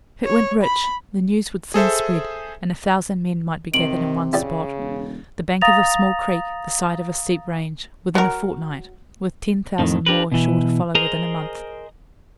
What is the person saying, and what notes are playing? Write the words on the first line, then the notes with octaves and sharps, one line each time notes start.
If it went rich the news would soon spread, and a thousand men might be gathered in one spot--the bank of a small creek, the side of a steep range--within a fortnight, with ten thousand more sure to follow within a month.
C#5
B5
G#4 A4 C5 E5
C3 D#3 D7 F#7
C#3 E4 G4 D5
E1
F5 A#5 D#6 A6 A#6 F7
F#3 A#4
F2 A2 D#3
D4 G4 A#4 B4
B2 E3
G#4 A#4 C5 D#5 G#5 A#5